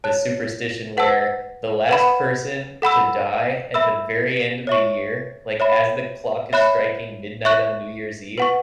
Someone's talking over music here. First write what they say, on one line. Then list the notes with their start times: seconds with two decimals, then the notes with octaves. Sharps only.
this superstition where the last person to die at the very end of the year, like, as the clock is striking midnight on New Year's Eve,
0.04 C#5 A5 F#6
0.97 B4 F#5 A5 E6
1.89 B4 F#5 B5
2.82 A4 F#5 B5 E6
3.74 E5 B5 E6
4.67 C#5 E5 C#6
5.60 C#5 E5 B5
6.53 C#5 E5 B5 F#6
7.45 E5 C#6 F#6
8.38 B4 F#5 C#6